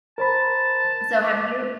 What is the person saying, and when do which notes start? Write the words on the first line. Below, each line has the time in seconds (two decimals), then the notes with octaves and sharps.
So have you
0.18 A#4 C5 A5 B5
1.24 D6